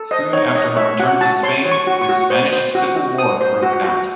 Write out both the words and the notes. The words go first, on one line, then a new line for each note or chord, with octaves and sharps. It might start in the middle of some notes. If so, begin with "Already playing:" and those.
Soon after her return to Spain, the Spanish civil war broke out.
Already playing: A4
C5 D#5
D#4 C#5
C#5 D#5
C#5 E5
F#4 F#5
F#4 A5
C#5 C6
C#5
C#6
F#4
C#6
F#4
C5
C5
F#4
F#4
C5 D#6
C5
F#4
F#4